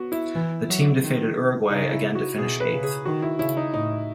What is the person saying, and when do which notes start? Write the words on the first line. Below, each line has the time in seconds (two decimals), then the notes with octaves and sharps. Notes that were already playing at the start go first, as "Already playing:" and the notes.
The team defeated Uruguay again to finish eighth.
Already playing: B3 F#4
0.12 E4
0.35 E3
0.69 F#3
1.03 D#3
1.70 C#3 D#4
1.92 E4
2.15 F#4
2.38 B2 G#4
2.60 B4
2.72 C#3
2.84 G#4
3.05 D#3 F#4
3.22 E4
3.39 C#3 E4
3.57 D#4
3.74 A2 D#4